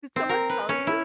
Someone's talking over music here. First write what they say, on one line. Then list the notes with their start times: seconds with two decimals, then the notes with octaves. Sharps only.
Did someone tell you,
0.16 C4
0.29 A#4
0.49 B4
0.69 C#4
0.87 E4